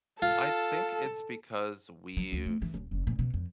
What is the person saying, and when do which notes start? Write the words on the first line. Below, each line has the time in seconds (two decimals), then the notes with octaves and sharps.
I think it's because we've
0.22 F4 A4
2.17 F#3
2.32 D2
2.46 A3
2.62 E3
2.74 D#1
2.91 F#1
3.07 A#2
3.19 B2
3.34 F2